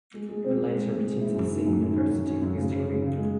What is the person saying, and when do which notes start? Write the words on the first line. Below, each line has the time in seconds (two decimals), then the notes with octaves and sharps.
He would later return to the same university for his Degree.
0.14 G#3
0.29 G#3
0.44 C4
0.59 G#3
0.74 G#3
0.90 G#3
1.05 G#3
1.21 E4
1.35 F#2
1.51 D#3
1.66 F#2
1.81 D#3
1.96 C#4
2.11 F#2
2.26 C#4
2.42 F#2
2.57 C#3
2.72 C#3
2.87 C#3
3.02 C#3
3.17 G#3